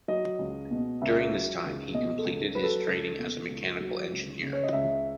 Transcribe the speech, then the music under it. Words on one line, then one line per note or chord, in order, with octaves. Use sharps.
During this time, he completed his training as a mechanical engineer.
F#3 D#5
C#2
B2
C#2 E5
F#3
C#2
B2 D#5
A4
C#2
F#3 B4
A4
C#2
B2
C#2
F#3
C#2
C#3
C#5
D#5
C#2 E5